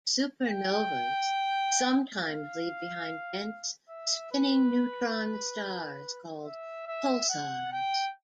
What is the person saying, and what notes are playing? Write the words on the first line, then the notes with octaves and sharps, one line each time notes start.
Supernovas sometimes leave behind dense spinning neutron stars called pulsars.
G5
F5
E5
B4
E5
E5
F#5
G5